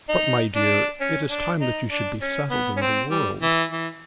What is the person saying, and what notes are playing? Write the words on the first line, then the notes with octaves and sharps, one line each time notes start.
'But, my dear, it is time that you should be settled in the world.'
D#4
D4
C#4
D4
D#4
D4
C#4
B3
C#4
C4
G3
E3
E3